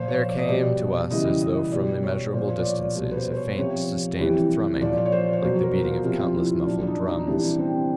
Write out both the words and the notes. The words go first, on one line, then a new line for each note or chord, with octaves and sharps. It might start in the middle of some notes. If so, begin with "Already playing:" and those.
There came to us as though from immeasurable distances, a faint, sustained thrumming--like the beating of countless muffled drums.
Already playing: A#2 F3 C5
C#5
D5
D#5
B2 G3 D5
C#3 E3 G3 D#5
D#5
B2 G3 D5
C#5
A#2 F3 C5
D5
C#5
B2 G3
B4
C5
C5
C#5
C3 F3 C#5
C3 E3 G3
A#2 F3 D5
D5
C#5
C5
C#5
B2 F#3 C5
A#4
F4
C3 F3 F4
F4
E4
A#2 F#3 D4
D4
D#4
D#4
C3 E3 G3 D4
C4